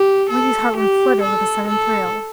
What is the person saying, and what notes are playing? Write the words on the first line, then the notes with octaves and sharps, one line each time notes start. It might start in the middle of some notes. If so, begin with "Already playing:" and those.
Wendy's heart went flutter with a sudden thrill.
Already playing: G4
A4
G4
A4
A4